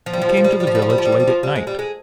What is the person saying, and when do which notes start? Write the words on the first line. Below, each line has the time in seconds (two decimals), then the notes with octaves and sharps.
He came to the village late at night.
0.06 F3
0.13 G3
0.22 F3
0.29 G3
0.37 F3
0.44 G3
0.52 F3
0.60 G3
0.67 F3
0.75 G3
0.82 F3
0.90 G3
0.98 F3
1.05 G3
1.12 F3
1.20 G3
1.28 F3
1.43 G3
1.56 G#3
1.67 G3
1.79 G#3